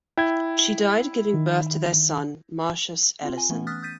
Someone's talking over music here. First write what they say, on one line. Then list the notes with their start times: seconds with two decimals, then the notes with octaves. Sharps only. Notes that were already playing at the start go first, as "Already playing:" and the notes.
She died giving birth to their son Martius Ellison.
0.17 E4 G5 G#6
1.34 D#3
3.23 C4 F4
3.38 G#5
3.49 E3 A3 B3 C#4
3.67 D#6 F6 F#6 A6 B6
3.82 D#6 G6 A6 B6 D#7